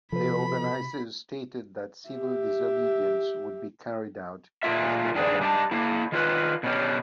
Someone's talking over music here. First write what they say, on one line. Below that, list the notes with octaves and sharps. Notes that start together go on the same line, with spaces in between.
The organisers stated that civil disobedience would be carried out if the government refused.
C3 F3 A4 B4 B5
G4 E5
A#2 A3 F4 E5
G2 D#3 D4 G#4
G3 D4 D#4 A5
A#3 E4
D#3 F4 B4
B2 B3 C#4 G4